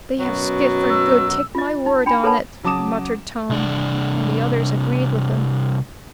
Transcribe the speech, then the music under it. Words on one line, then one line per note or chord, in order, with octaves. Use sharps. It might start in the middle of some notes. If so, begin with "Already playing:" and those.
"They have skipped for good, take my word on it," muttered Tom, and the others agreed with him.
F#2 B2 F#3
E6
F4 D#5
D#4
D4 G5 G#5 B5
A4 B4 C#5 F#5 A5 B5
C#3 F#3 A5 D6 D#6 E7
C2 D4